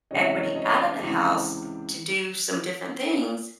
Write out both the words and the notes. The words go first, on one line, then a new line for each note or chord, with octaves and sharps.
equity out of the house to do some different things,
C#2 C3 E3 C#5 D#5
E5
C#5 D#5
C#5 D#5
C5 D5
C#2 C3 E3